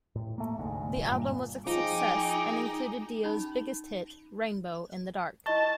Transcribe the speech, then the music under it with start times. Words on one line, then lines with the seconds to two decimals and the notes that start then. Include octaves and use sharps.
The album was a success and included Dio's biggest hit, "Rainbow in the Dark".
0.15 A2
0.38 A3 A#3
0.59 F1 D2 G#2
1.06 G2 A#2
1.67 F3 D#4 G#4 G5 D6
3.24 C#4 D#4 B5
5.46 E4 D#5 A5 C#6